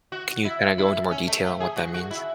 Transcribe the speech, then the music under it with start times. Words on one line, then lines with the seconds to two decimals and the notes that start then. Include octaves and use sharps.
Can you kinda go into more detail on what that means?
0.12 F#4
0.45 E4
0.78 E4
1.11 C#4
1.27 A3
1.44 A3
1.60 G#4
1.77 F#4
1.94 F#4
2.11 E4